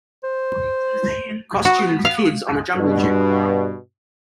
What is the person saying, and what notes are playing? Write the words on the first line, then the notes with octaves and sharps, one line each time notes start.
Costumed kids on a jungle gym.
C5
F#4
F5
G2 B2